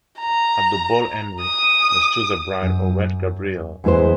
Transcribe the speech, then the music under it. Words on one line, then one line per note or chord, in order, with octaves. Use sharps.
At The ball Henry must choose a bride or wed Gabriella.
A#5
D#6
F#2
E2 G#3 E4 B4 C5